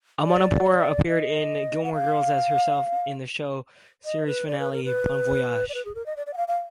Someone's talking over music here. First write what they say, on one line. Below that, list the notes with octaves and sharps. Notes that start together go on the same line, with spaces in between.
Amanpour appeared in "Gilmore Girls" as herself in the show's series finale, "Bon Voyage".
D5
D#5
F#5
F5
D#5
B4
D5
B4
A#4
B4
D5
B4
G#4
A#4
D#5
D5
D5
F#5
F5
F5